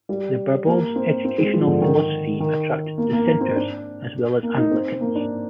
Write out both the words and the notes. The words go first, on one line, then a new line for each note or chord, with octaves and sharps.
The Barbaulds' educational philosophy attracted Dissenters as well as Anglicans.
G3
A#3
C4
C4
G#3
F3
D3
D#3
D#3
A#3
A#3
A#3
C4
D4
A#3
D#4
C4
A#3
D4